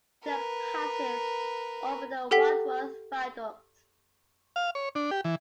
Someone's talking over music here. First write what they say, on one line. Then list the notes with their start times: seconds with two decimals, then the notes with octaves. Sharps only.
It then passes over the Wadworth Viaduct.
0.24 A#4 B4
2.31 G4 A4 F#5 G5 B6
4.56 F5
4.75 C#5
4.95 D4
5.11 G4
5.25 E3